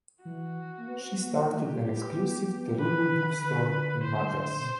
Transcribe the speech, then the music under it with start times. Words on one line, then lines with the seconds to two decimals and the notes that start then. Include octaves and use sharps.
She started an exclusive Telugu bookstore in Madras.
0.25 E3 F#4
0.78 A#3
0.88 B3
1.00 C4
1.10 B3
1.30 A#3
1.52 A3 G4
1.72 A#3
1.87 A#3
1.94 B3
2.78 F3 B4
2.99 E3
3.20 D#3
3.41 D3 B4
4.04 C5
4.60 B2